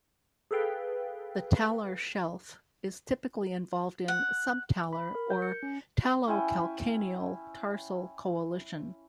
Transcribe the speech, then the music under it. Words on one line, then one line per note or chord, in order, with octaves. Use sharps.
The talar shelf is typically involved in subtalar or talocalcaneal tarsal coalition.
G#4 A4 B4 F5 G5
F#5
B5
A#4
G6
C#7
C#4
C#4 E4 G5 G#5